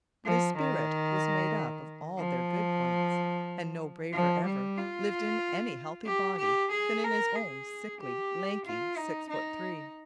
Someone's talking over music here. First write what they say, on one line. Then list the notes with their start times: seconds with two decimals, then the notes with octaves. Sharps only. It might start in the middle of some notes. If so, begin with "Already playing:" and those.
But his spirit was made up of all their good points; and no braver ever lived in any healthy body than in his own sickly, lanky six foot three.
0.25 F3
0.57 D#3
2.18 F3
4.12 F3
4.45 G3
4.77 F4
6.06 G4
6.38 G4
6.71 G#4
7.03 A#4
7.35 G#4
8.00 G4
8.65 F4
8.97 D#4
9.29 D#4